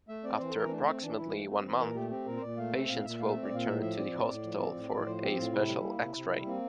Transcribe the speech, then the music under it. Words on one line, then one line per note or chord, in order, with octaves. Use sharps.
After approximately one month, patients will return to the hospital for a special x-ray.
A3 E5
C4 D5
E3 C5
A4
E3 A#4
C4
A3 D4
C4
E3 D4
E3 E4
A3
C4
E3
A#2 A#4
A3 G4
C4 G4
A#2 A#4
C5
A#2 D5
A3 F5
C4 E5
A#2 F5
A#2 E5
A3 F5
C4 E5
D5
A#2 F5
A2 E5
F3 E5
C4 D5
A2
A2
F3
C4
A2
A2
F3 C5
C4 G4
A2 F4
C3 E4
G3
A#3
C3
C3
G3
A#3 C4